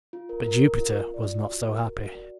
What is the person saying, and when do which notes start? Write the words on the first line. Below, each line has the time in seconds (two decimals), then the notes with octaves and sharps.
But Jupiter was not so happy.
0.13 F4
0.29 A#4
0.46 A#4
0.64 A#4
0.80 F4
0.97 F4
1.14 D5
1.31 F4
1.47 F#4
1.64 A#4
1.81 A#4
1.98 F#4
2.14 D5